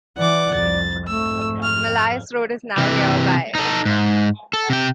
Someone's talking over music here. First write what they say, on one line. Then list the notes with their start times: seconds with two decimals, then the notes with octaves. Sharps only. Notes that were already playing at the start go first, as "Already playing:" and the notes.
Millais Road is now nearby.
0.17 E3 D5 F#5 D6
0.54 C2 F2 A6
1.08 F2 G#2 A3 E6
1.63 F6
2.78 C3 E3
3.55 D#4 A4
3.85 G#2
4.53 A4
4.70 C3 G5